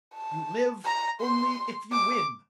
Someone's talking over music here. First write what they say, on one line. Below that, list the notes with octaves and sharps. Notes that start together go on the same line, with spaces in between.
You live only if you win!
A5
A#5
C6
D6